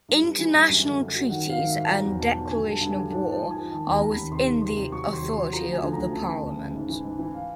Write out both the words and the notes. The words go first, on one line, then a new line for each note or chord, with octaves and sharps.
International treaties and declaration of war are within the authority of the parliament.
G2
G2
E3
G2
F#2
D3
F#2
F#3
D#3 F#5
G#2 F5
D#3
E5
G#2
F#3 A#5
E2
B2 A5
F#3
D3 G#5
G2 A5
G2
D3 G#5
G#2 A5
F3 A5
G#2
G#5
F3
D#3 A5
D#2 A#5
D#2
B5
D#2
C3 C6
D#3
C#2 C6
C3
F#3 C#6
D#2
C6
F#3
F#3 C6
F3 A#5
D2
G#5
D3
A#5
D2
C#3 A5
E3
D2
C#3
G#2
E3
G#2
E3
F5